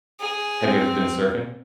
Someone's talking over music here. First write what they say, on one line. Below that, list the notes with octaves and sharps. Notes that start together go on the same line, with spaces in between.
Have you ever been surfing?
G#4
C4